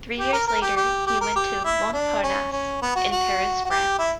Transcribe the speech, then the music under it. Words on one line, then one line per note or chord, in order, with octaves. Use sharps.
Three years later he went to Montparnasse in Paris, France.
G4
A#4
A#4
G4
G4
G4
A#4
G4
E4
D4
C#4
C#4
B3
F#4
F#4
F#4
G4
E4